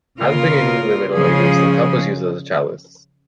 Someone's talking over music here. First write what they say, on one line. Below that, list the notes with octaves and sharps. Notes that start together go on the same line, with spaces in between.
At the beginning of middle ages, the cup was used as chalice.
C#3 A#3 F4 A#4
C#3 F3 G#3 C#4 G#4